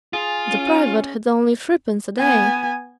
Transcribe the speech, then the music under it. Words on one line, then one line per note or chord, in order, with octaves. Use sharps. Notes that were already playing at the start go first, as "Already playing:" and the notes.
The private had only threepence a day.
F4 G#4
C#4
B3 G#5